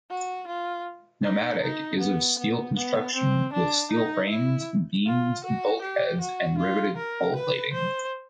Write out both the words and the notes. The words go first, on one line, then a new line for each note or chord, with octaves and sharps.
"Nomadic" is of steel construction, with steel frames, beams, bulkheads and riveted hull plating.
F#4
F4
D#4
D#4
B3
B3
B3
C4
D4
D#4
E4
F4
F#4
G4
F#4
F4
A#4
B4
C5